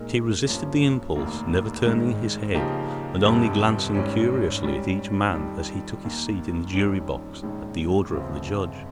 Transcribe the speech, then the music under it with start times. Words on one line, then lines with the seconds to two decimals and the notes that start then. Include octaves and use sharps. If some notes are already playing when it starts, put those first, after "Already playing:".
But he resisted the impulse, never turning his head, and only glancing curiously at each man as he took his seat in the jury box at the order of the judge.
Already playing: A#2 G#3 D#4 A#4
0.46 G2 F3 A#3 C#4
1.16 F1 D#2 D#3 A#3
1.85 G#1 G#2 D#3 G#3
2.54 C#3 F3 A#3 D#4 G4
3.24 G1 F2 C3 G3
3.94 G#1 G#2 G3 C#4
4.64 G#2 G3 C#4
5.33 F2 D#3 G3
6.04 D#2 D#3 A#3
6.73 F2 D#3 G3 C#4
7.42 A#1 G#2 D#3 G#3 C#4
8.13 G1 F2 C#3 F3 C4